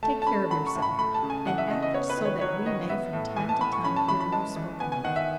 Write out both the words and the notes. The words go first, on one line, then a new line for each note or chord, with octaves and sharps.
Take care of yourself, and act so that we may from time to time hear you spoken of.
A3 A5
A5
C#4 B5
F#3 B5
C#6
A2
B5
A3 B5
A5
C#3
G#5
E3 F#5
E5
C#3 D#5
D#5
B3 C#5
B4
D#3
C#5
F#3 C#5
D#3 D#5
B3 E5
A2
E3 G#5
A5
A2 B5
C#6
C#4 B5
A5
E3 B5
B5
G#3 A5
E3
B3 G#5
G#5
D#3 F#5
E5